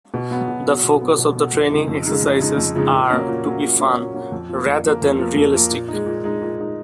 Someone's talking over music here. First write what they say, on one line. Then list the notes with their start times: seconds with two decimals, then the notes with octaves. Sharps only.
The focus of the training exercises are to be fun, rather than realistic.
0.14 B2
0.31 F#3 B3
0.48 B2
0.66 F#3 B3
0.83 B2
1.01 F#3 B3
1.18 B2
1.35 F#3 B3
1.53 F2
1.70 C#3 F3 G#3 D#4
1.88 F2
2.05 C#3 F3 G#3 D#4
2.22 F2
2.40 C#3 F3 G#3 D#4
2.58 F2
2.75 C#3 F3 G#3 D#4
2.92 A#2
3.10 F#3 A#3 C#4
3.27 A#2
3.45 F#3 A#3 C#4
3.62 A#2
3.79 F#3 A#3 C#4
3.97 A#2
4.14 F#3 A#3 C#4
4.32 F2
4.49 F3 A#3
4.66 F2
4.84 F3 A#3
5.02 F2
5.19 F3 A#3
5.36 F2
5.53 F3 A#3
5.71 A#2
5.88 G#3 D#4
6.06 A#2
6.24 G#3 D#4
6.41 A#2
6.58 G#3 D#4